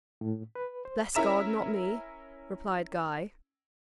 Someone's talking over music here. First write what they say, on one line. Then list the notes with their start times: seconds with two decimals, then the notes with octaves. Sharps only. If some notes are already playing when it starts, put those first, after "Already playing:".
"Bless God, not me," replied Guy.
0.21 A2
0.55 B4
0.85 C5
1.15 C#4 E4 A#4 E5 A#5 E7